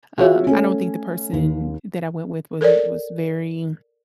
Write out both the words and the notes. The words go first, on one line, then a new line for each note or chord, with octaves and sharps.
um, I don't think the person that I went with was was very
F4 F#4 G#4 C#5 E5 F5
A3 C#4
D#2
A4 A#4 C#5 D5